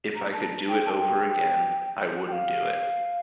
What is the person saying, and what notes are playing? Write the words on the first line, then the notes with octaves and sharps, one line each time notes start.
If I could do it over again I wouldn't do it.
A#5
A5
G5
A5
G5
G5
F5